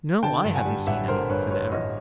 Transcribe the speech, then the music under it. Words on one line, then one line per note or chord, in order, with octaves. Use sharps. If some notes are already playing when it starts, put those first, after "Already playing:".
'No, I haven't seen any', said Eric.
D3 G5 A5
G2
F#5 G#5
G3
A1 E5 F#5
D3 A#4 C5
G2 B4 C#5
G3 B4 C#5
A1 C#5 D#5